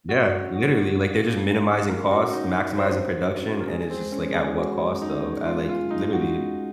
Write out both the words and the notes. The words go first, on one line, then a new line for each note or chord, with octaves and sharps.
Yeah, literally, like, they're just minimizing costs, maximizing production, and it's just, like, at what cost, though? At, like, literally
F#4 C#5
C#4
F#4
C#4
F5
F5
F5
C#4 A#4
F#4
C#5
D#4
C#4
F#4 C5
F#4
C#4
A#4
G#3 G#4
C4
G#3
C#4
G#3
G#4
G#3 F#4
C#4
D#4
G#4
G#3 F4
F4
G#3
D#4
C#4
F#4
G#3